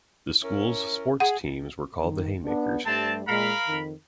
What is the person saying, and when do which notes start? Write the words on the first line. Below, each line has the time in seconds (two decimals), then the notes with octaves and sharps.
The school's sports teams were called the Haymakers.
0.42 C#4 E4 A#4
1.20 G#4 F#5
2.01 D#3
2.45 B3 D4
2.85 G2 G3 A3 C4 A5
3.28 A#2 G#3 A#4 F5 B5
3.68 F2 D#3